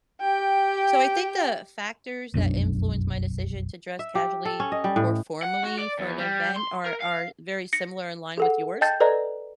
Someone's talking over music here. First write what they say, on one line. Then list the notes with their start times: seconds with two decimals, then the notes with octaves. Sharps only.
So I think the factors that influence my decision to dress casually or formally for an event are are very similar in line with yours.
0.21 G4 G5
2.34 F1 B1 F#2 D4
3.99 E5
4.15 G4
4.45 A4
4.60 C#4
4.72 D#5
4.84 G3
4.96 A2
5.42 F#5
5.64 F#4
5.79 D5
5.99 E2
6.18 G3
6.56 C6
6.85 A#4
7.00 F5
7.73 A#6 C#7
8.38 G#4 A4 F#5
8.81 D#5 G5 A5 G6 A6
9.00 A4 B4 D5 D#5 A#5